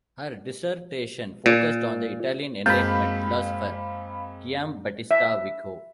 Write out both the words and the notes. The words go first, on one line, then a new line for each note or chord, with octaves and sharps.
Her dissertation focused on the Italian enlightenment philosopher Giambattista Vico.
A#2
F#2 G#3 A#3 C4 F5 B5 G6
E5